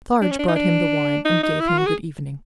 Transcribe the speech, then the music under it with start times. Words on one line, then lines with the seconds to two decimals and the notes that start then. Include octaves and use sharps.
Defarge brought him the wine, and gave him Good Evening.
0.22 D4
0.31 C#4
0.39 D4
0.48 D#4
0.56 D4
1.25 D#4
1.43 D#4
1.60 E4
1.68 F4
1.78 F#4
1.87 G#4